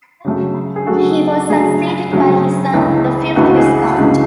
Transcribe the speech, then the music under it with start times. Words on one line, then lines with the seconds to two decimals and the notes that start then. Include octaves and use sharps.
He was succeeded by his son, the fifth Viscount.
0.25 C#3 F#3 A3
0.76 G#4
0.87 C#3 F#3 A3 F#4 A4
1.50 C#3 F#3 A3 G#4
2.11 C#3 F#3 A3
2.73 C#2 C#3 E3 A3
3.36 C#2 C#3 E3 A3 F#4
3.57 G#4
3.98 C#2 C#3 E3 A3